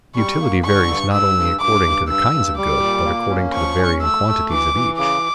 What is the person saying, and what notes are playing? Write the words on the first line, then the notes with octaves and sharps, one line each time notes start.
Utility varies not only according to the kinds of good, but according to the varying quantities of each.
G3 C#6
A#3
D3 C#6
G2
G2 E6
G2
G2 D6
G2
G2 E6
G2
G3 D6
A#2
A#3
C#4
F3 C#6
C#4
A3 E6
A3
E3 D6
E3
C#3 D6